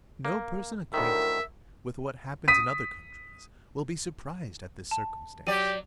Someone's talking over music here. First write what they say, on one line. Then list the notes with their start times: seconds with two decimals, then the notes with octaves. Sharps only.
No person acquainted with what happens in other countries will be surprised at this circumstance.
0.25 A#3
0.94 D2 A2 D#3 A#4 E5
2.48 D#6 B6 D#7
4.91 A5
5.47 F#3 G4 D5 D#7